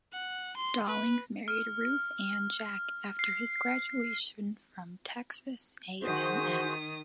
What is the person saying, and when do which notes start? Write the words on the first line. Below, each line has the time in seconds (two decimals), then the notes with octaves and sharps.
Stallings married Ruth Ann Jack after his graduation from Texas A and M.
0.12 F#5
0.57 C6
0.87 B4
1.48 F6
3.19 C7
6.03 D#3 F#4 G#4 C5 D#6